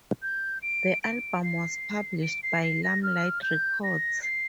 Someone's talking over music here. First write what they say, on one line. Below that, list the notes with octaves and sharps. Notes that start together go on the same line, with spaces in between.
The album was published by Limelight Records.
G6
D7
D7
C7
D7
C7
C7
A#6
F6
G6
A#6
C7